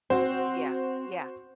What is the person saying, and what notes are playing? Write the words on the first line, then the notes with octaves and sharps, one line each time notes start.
Yeah, yeah.
C4 F#4 C5